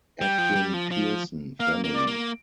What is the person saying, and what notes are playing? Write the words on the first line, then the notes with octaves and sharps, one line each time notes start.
Edwin Pearson family.
G3 G5
F3
G3
F3
F3
A#3 F5
A#3
D5
A#3